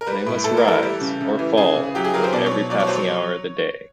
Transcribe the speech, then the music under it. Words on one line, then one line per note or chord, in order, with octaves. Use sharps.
They must rise or fall with every passing hour of the day.
A#4
G3 B4
A2
A2 A4
A#4
E3 A4
G3
C#3
C#3
E3
C#3 G#4
C#3
F#3 G4
G#4
F#3 A#4
C5
B2 D5
C#5
B2
F#3 D5
C#5
F#3 C5
C#5